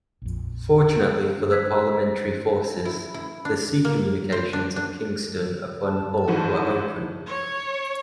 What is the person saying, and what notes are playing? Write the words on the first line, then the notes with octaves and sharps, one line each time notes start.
Fortunately for the Parliamentary forces, the sea communications of Kingston upon Hull were open.
A#1 F2
C5 E6 F#6 G#6 B6
E4
E4
D4
A#3
C5
D4
D4
A5
G#2 E3 F#4
E4
C#5